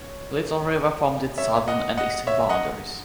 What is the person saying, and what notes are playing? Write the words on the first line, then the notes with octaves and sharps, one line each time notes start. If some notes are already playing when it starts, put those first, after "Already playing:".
Little River formed its southern and eastern boundaries.
Already playing: C#5
C#5 E5
D#5 F#5
D#5 F#5
C#5 E5
D#5 F#5